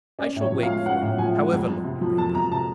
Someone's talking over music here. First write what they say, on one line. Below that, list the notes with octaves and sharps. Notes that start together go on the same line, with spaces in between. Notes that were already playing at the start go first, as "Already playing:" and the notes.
I shall wait for you, however long you may be.
C#4 D5
A2
C#5
F3
F5
G#3
C#4 F#5
A2
F3 G#5
G#3
F2
F2
C3
F3
F2 A5
F2 A#5
C3 A5